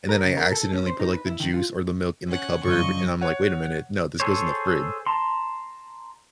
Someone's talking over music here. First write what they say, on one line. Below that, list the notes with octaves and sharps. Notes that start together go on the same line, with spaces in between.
and then I accidentally put, like, the juice or the milk in the cupboard, and I'm like, "Wait a minute. No, this goes in the frid"
A#4
C#3
A#4
A4
C#4
C5
D#4
B4
E4
D#3
F4
C#4 F#5
F#2 D3 F3 D#5 C#6
C#5 F#5
G#4 A4 C5 C#5
A5 A#5 C6